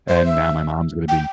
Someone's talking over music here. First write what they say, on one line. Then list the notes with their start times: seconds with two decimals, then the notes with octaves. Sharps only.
And now my mom's gonna be
0.08 C5
0.26 E5
1.08 G5